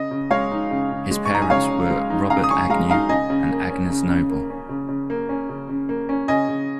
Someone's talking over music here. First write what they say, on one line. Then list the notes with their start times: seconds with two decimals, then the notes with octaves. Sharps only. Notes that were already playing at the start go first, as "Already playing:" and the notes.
His parents were Robert Agnew and Agnes Noble.
Already playing: C#3 D#5
0.11 C#3
0.31 G#3 C#5 F5
0.52 D#4
0.71 C#3
0.91 C#3
1.11 G#3
1.26 C#6
1.31 D#4 A#5
1.42 G#5
1.50 C#3 C#5 F5
1.71 C#3
1.91 G#3
2.10 D#4
2.30 C#3 F5 A#5
2.44 D#6
2.50 C#3 G#5 C#6
2.70 G#3 F5 A#5
2.90 D#4 F5 A#5
3.09 C#3 D#5 G#5
3.30 C#3
3.50 A#3
3.70 C#4
3.90 C#3
4.09 C#3
4.30 A#3
4.50 C#4
4.69 C#3
4.89 C#3
5.10 A#3
5.29 C#4
5.49 C#3
5.69 C#3
5.89 A#3
6.09 C#4
6.28 C#3 D#5 G#5
6.48 C#3